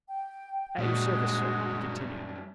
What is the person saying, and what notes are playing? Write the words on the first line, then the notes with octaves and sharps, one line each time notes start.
"At your service, sir," he continued.
G5
F#2 A#2 G3 G#3 F#4